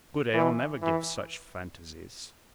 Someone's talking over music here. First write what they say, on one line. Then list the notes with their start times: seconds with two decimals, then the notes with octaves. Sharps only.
Good ale never gives such fantasies.
0.34 E3
0.82 E3